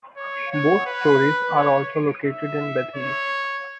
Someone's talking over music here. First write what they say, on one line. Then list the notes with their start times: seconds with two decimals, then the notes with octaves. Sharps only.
Both stories are also located in Bethany.
0.17 C#5
0.51 C#5
0.86 B4
1.56 C#5
2.26 E5
2.95 C#5